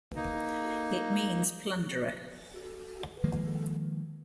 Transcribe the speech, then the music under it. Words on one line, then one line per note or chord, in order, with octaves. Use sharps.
It means 'plunderer'.
A#3 D#4
D#3 F3 G#3 A#3